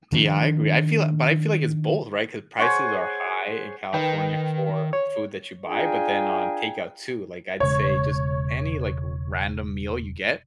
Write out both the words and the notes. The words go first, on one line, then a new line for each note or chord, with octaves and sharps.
De I yeah, I agree, I feel a but, I feel like it's both, right, 'cause prices are high in California for food that you buy, but then on takeout too, like, I'd say just any, like, r random meal you get,
D#3 F3 G3 D4
G#4 C5 C#5 F#5
D#3 B4 G5
C#5
D4 F4 G#4 A#4 G5
E1 C#3 G#3 C#5